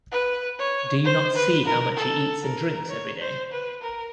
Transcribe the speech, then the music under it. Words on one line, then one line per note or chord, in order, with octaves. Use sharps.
Do you not see how much he eats and drinks every day?
B4
C#5
C5
B4
A#4
A4
A#4
C#5
C5
B4
A#4